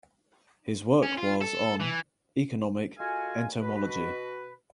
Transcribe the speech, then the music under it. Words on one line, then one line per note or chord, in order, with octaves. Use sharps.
His work was on economic entomology.
C#4
F4
A4
E3
G#3 F4 F#4 A4 F5 G#5
B2 F#4 B4